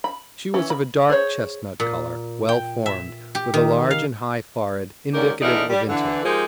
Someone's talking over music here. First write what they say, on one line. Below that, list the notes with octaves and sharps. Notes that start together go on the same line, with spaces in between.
She was of a dark chestnut color, well-formed, with a large and high forehead, indicative of intellect.
B5
E3 C#4
B5
G#4 C5 C#5
A#2
G5
E5
G4
D#3
F5
D#2 G#2 C#4 G4 A#4 D5
E2 D3 D#4 A#4 D5 E5
G3
D3 E3
F3 G#3 D#4 G4 A#4 C5